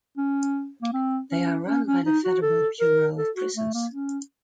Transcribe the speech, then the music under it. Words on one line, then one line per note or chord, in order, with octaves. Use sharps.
They are run by the Federal Bureau of Prisons.
C#4
A#3
C4
C#4
C#4
C#4
D#4
F#4
A4
A#4
A4
F#4
A3
A#3
C#4